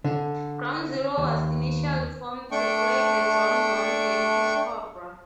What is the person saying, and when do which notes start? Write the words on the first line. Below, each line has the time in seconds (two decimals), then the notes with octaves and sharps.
Ground-Zero was initially formed to play the John Zorn game piece Cobra.
0.04 D3
1.18 D#2
2.52 A3 D4 G5 C#6